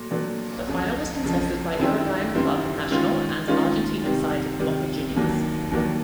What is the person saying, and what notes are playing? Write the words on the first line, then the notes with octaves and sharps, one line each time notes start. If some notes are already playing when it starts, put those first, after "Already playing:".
The final was contested by Uruguayan club Nacional and Argentine side Boca Juniors.
Already playing: A#2 F#3 A3
A#2 F#3 A3 D4
F2 C#3 F3
F2 C#3 F3
F#2 D#3 G3 C4 E4
F#2 D#3 G3 C4 E4
D#3 G#3 C#4 F4
D#3 G#3 C#4 F4
C3 D#3 G3
C3 D#3 G3
D#2 D#3 F#3 A#3 D4
D#2 D#3 F#3 A#3 D4